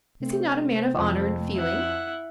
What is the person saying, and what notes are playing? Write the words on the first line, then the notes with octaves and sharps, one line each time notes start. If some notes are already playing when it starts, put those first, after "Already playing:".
Is he not a man of honour and feeling?
C3 A3 C4
F2 F3
E4 F#5